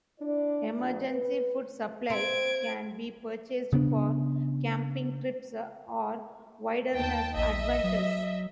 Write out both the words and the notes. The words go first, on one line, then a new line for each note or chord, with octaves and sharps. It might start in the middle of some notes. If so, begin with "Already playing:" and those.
Emergency food supplies can be purchased for camping trips or wilderness adventures.
D4 E4 D5
A#1 G2 A#2
B4
C4 G#6 D7
C#3 B3 D4
D#2 G5 A5
A#1 D#5 E5
F#3